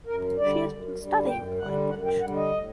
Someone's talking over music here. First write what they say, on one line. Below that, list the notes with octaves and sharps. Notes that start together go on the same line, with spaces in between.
She has been studying the language.
F#2 A#4
D3 G3 D5
F#2
D3 G3
F#2 G5
D3 G3 F#5
F#2 F#5
G5
D3 G3 F#5
D#5
A2